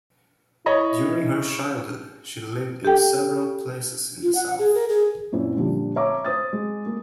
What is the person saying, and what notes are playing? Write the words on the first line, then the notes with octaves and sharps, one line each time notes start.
During her childhood, she lived in several places in the South.
E4 C#5 D#5 B5
G4 A4 G5
F4
F#5
G#4
A#4
G#4
F#2 A#2 C4 E4
A#2 D3 F3 G3
C#5 E5 A#5 D6
C5 D#6 A6
G#3
A#3